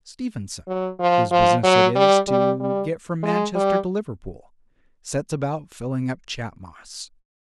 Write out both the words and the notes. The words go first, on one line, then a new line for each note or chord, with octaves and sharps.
Stephenson, whose business it is to get from Manchester to Liverpool, sets about filling up Chat Moss.
F#3
F3
F3
F#3
G3
G3
G3
G#3
G3